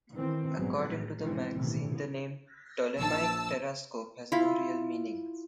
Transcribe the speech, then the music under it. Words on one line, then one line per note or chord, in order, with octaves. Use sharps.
According to the magazine, the name "Ptolemaic Terrascope" has no real meaning.
D#3 E3 C4
A#1 G#2 F#3 G#3 B3 C4
A2
A#1 G#2 B2 E3 C4
B1 A2 C3 D#3 E3 A3
A#1 A5 E6
E4 F4